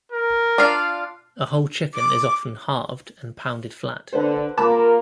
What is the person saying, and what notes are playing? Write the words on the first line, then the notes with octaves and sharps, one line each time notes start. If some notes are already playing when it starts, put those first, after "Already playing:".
A whole chicken is often halved and pounded flat.
A#4
D4 F4 F5
D6
D3 B4 C5
A#3 F4 A#4 A5 B5 D6